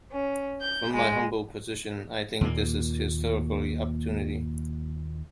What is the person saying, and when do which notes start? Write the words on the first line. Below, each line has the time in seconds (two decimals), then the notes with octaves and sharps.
From my humble position, I think this is a historical opportunity.
0.11 C#4
0.61 G6
0.93 G#3
2.41 D#2 A#2 A#3